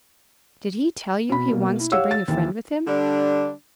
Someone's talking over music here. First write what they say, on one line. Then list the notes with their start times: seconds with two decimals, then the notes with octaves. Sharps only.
"Did he tell you he wants to bring a friend with him?"
1.30 B2 B5
1.49 B2 A#3
1.80 E4
1.92 G4 C#5 F5 F#5 E6
2.11 A6
2.28 D#2 E3
2.87 D3 G3 D4